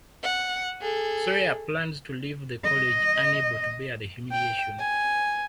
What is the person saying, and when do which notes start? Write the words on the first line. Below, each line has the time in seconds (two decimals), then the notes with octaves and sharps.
Soorya plans to leave the college unable to bear the humiliation.
0.23 F#5
0.81 G#4 A4
2.64 D#5
4.32 G5
4.79 G#5